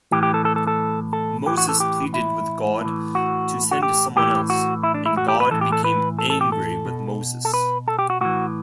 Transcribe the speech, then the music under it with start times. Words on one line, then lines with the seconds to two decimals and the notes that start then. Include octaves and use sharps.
Moses pleaded with God to send someone else, and God became angry with Moses.
0.11 A2 E3 G4
0.23 G4
0.34 A4
0.45 A4
0.56 A4
0.67 A4
1.13 A4
1.46 A2 E3 G4
1.57 F#4
1.69 A4
1.80 G4
2.14 E4
2.81 A2 E3
3.15 F#4
3.71 F#4
3.83 G4
4.16 A2 E3 G4
4.50 F#4
4.83 E4
4.94 D4
5.06 E4
5.17 F#4
5.28 G4
5.40 B4
5.51 A2 E3 A4
5.61 G4
5.72 A4
5.84 B4
6.19 A4
6.30 A4
6.41 G4
6.52 A4
6.86 B2
7.45 A4
7.54 B4
7.88 A4
7.99 G4
8.10 F#4
8.21 A2 E3 F#4